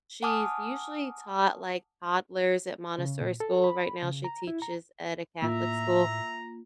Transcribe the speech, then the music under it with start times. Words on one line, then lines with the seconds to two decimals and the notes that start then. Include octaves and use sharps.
she's usually taught, like, toddlers at Montessori school. Right now she teaches at a Catholic school.
0.23 F#5 G#5 A5 D6 D#6 F6
2.98 C#3
3.21 A#2
3.40 A4
3.64 B5
4.02 C#3
4.24 A#5
4.47 E4
4.62 A#5
5.42 A2 A#3 F4 E5 A#5